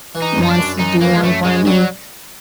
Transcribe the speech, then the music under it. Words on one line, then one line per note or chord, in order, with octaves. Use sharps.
wants to do one for me,
E3
D#4
F#2
D#4
D4
F#2
F#2 D#4
E3 A#3
G#3
F#2 A3
F#2 G#3
F#3 G3